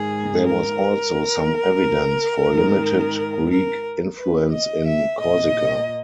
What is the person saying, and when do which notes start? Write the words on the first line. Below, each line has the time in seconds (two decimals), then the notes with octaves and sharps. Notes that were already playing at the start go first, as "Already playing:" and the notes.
There was also some evidence for limited Greek influence in Corsica.
Already playing: G#2 D#3 G#4
0.46 A#4
2.49 G#2 D#3
3.17 A#4
3.51 A#4
4.18 B4
4.52 D#5
4.87 E5
5.20 A#2 D#5